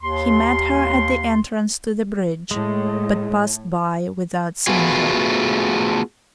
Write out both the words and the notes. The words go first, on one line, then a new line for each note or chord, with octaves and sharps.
He met her at the entrance to the bridge, but passed by without seeing her.
D#2 C6
A2 G#3
A3 B3 F4 F#4 G#4